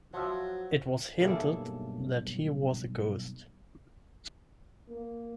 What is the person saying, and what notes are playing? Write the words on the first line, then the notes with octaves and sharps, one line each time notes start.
It was hinted that he was a ghost.
F3 F#3 E5
B1 G2 A#3 G#4 A4 E5
A#3